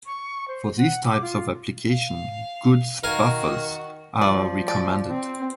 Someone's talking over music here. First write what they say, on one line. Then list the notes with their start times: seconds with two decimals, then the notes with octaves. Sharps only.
For these types of applications, Good's buffers are recommended.
0.06 C#6
0.48 C5
0.77 F#5
1.04 D6
1.22 F4
1.88 F5
3.04 D#3 F#4 A#4 F5 G#5
4.21 F3 D5
4.68 D5
5.08 C4